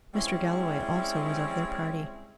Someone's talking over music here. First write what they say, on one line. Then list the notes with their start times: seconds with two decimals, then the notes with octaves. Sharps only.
Mr. Galloway also was of their party.
0.14 G3 G#3 C4 C#4 E4 E5